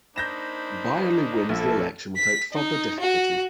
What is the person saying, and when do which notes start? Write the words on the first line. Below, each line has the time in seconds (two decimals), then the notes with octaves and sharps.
Byerley wins the election without further difficulty.
0.16 A#3 D4 D#4 C5 B5 G6 A#6 E7
1.49 A#1 E4 A4
2.16 B6
2.53 D#4
3.00 F#4